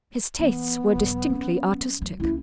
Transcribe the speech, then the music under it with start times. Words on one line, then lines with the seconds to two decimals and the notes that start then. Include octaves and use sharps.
His tastes were distinctly artistic.
0.39 E3 B3
0.95 E1 F#3
1.29 F#3 C#4
2.01 E3 F#3
2.20 C#2 A#3 E4